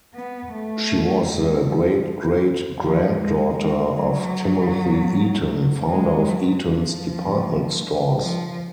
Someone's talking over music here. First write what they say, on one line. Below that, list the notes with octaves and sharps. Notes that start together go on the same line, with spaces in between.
She was the great-great-granddaughter of Timothy Eaton, founder of Eaton's department stores.
B3
A3
G#3
F3
F3
G#3
G#3
F#3
G#3
F#3
F3
F3